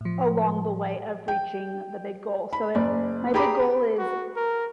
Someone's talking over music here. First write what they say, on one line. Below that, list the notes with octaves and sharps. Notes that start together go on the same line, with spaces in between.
along the way of reaching the big goal. So, if my big goal is
A2 F3
G5
B5
F#1 D5
G4 G#4 A#5 B5 D6
F#4
A#4